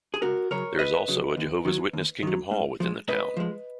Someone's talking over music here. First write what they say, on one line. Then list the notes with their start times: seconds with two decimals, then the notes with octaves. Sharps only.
There is also a Jehovah's Witness Kingdom Hall within the town.
0.14 G#4
0.22 C#2 F#4 A#4
0.51 C#3 F#3 A#4 C#5
0.79 C#2 B4 D#5
1.08 C#3 F#3
1.37 D#2
1.65 D#3 F#3
1.93 D#2
2.23 D#3 F#3
2.51 G#2
2.80 F3 G#3
3.08 G#2 B4 D#5
3.37 F3 G#3